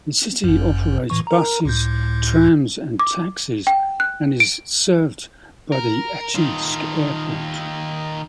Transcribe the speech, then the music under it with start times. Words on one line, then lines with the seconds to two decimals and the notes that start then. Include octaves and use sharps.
The city operates buses, trams, and taxis, and is served by the Achinsk Airport.
0.44 G1 F#2
1.10 A2 E3 C#6
1.27 A#4 A#5
1.65 C#2 A2 G6
3.00 D6
3.67 G5
4.00 F#6
4.40 D7
5.72 A#4
6.35 D#3 F4